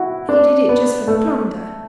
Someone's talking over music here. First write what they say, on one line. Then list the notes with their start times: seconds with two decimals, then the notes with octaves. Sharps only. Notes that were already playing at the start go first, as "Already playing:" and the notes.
He did it just for the plunder.
Already playing: E4 F#4
0.29 D4
0.69 B3
1.08 A3